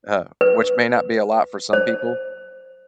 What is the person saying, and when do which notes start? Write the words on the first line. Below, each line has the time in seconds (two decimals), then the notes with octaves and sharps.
uh, which may not be a lot for some people.
0.41 B4
1.73 C5